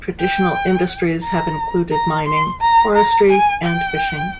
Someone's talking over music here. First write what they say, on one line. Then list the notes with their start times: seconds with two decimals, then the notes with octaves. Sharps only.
Traditional industries have included mining, forestry and fishing.
0.21 G5
1.23 A#5
1.93 A#5
2.26 C6
2.61 A#5
2.96 A#5
3.30 G#5
3.65 G5